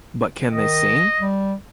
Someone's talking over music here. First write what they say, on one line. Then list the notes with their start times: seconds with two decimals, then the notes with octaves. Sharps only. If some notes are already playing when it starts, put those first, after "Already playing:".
But Can They Sing?
0.52 D#3 D#5
1.20 G3